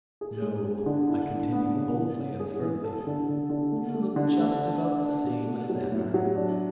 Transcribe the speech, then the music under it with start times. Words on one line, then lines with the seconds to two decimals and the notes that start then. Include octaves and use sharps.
"No," I continued boldly and firmly, "you look just about the same as ever."
0.21 G#4
0.42 G#3
0.64 G#4
0.86 D3
1.08 E4
1.31 E4
1.53 B3
1.74 C#3
1.96 E3
2.19 C#4
2.40 G#4
2.62 E3
2.84 A4
3.07 D3
3.29 D3
3.50 D3
3.72 A3
3.94 A3
4.16 D3
4.39 A3
4.61 D4
4.82 D4
5.04 D4
5.26 B2
5.48 A3
5.69 F#3
5.92 A2
6.14 F#3
6.36 D4